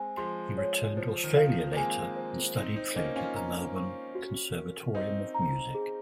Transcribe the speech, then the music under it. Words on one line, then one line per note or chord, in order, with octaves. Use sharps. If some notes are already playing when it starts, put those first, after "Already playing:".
He returned to Australia later and studied flute at the Melbourne Conservatorium of Music.
Already playing: G#3 C4 G#5
F3 G#3 C6
C#5
F3 C5
D#3
F5
F3
A#3
G#3 C4 G#5
C5
C4 D#4 C5
C4 D#4
A#3 C#4 D#5
C#4 F4
A#5
C#6
F#4
A#4
C4 D#4 D#5
A#5
G#4